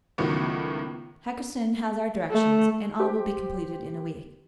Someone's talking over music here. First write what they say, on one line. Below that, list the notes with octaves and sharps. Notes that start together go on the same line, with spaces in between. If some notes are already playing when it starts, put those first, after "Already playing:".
Haggerston has our directions, and all will be completed in a week.
C#2 A2 D#3 F#3 B3
A3
G4 C5 D6